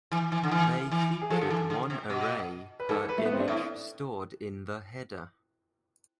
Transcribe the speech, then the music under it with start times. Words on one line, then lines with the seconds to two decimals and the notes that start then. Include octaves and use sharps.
They featured one array per image stored in the header.
0.11 E3
0.32 E3
0.43 D3
0.51 E3
0.91 E3
1.22 G#4
1.30 F3 A4
1.41 D3
1.51 E3
1.70 D3
1.90 C3
2.10 B2
2.80 B4
2.89 G#2 A4
3.09 B4
3.18 A3
3.25 B3
3.33 C4
3.40 D4
3.48 A2 E4